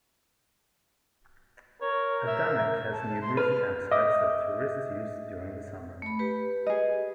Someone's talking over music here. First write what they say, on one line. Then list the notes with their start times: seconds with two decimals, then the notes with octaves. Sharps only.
Adanac has numerous camp sites that tourists use during the summer.
1.82 A#4 C#5
2.27 E5
2.93 A5
3.22 C6
3.37 B4 F6
3.91 D#5 E5 D6 D#6
6.02 A3 B5
6.19 G4 B4
6.67 G#4 D#5